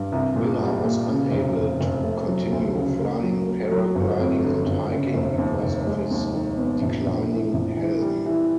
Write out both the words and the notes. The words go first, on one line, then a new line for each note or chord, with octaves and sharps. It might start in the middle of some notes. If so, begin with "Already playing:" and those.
Miller was unable to continue flying, paragliding and hiking because of his declining health.
Already playing: G2
C2
A#2
G3
A#2
C#3
F1
F1
F1
A3
F#3
D2
C#3
A#3
F#3
A#3
F#3
G1
F2
D3
G1
C#3
F1
D#2
F1
G#3
D#2
D#3
B3
A#1
A#1
E3
A#1
E3
G3
E3